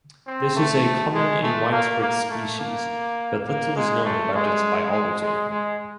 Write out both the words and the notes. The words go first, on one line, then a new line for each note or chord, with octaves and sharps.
This is a common and widespread species, but little is known about its biology.
C4
A3
G#3
A3
A#3
A#3
A3
A#3
A#3
G#3
A3
G#3
G#3
G#3
G#3